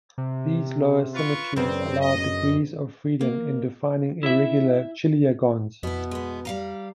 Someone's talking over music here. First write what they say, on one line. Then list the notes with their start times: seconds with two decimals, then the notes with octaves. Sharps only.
These lower symmetries allows degrees of freedom in defining irregular chiliagons.
0.18 C3
1.15 F4 B4 C#6
1.56 F#2 C#3 B3 C4 D4
2.01 D#5
3.21 A#3
4.23 E4 E5
5.83 F2 B2 B3 E4
6.11 G#3 B3
6.45 G3 F5 A#5